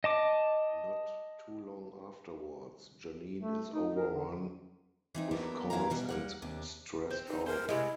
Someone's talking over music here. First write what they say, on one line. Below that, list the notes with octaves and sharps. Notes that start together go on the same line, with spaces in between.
Not too long afterwards, Janine is overrun with calls and stressed out.
D#5 A5 D6
A3
D#4
A#4
D3
E3 C4 D#4
F#3 A#3 B3 D4 E4
E2 E3 E4 C5 F5 A#5
B2 E3 F#3 G3
G3 A#3 F#5
D#2 C3 D4
C4
D#4
A#4 C5
C3 G#3 E4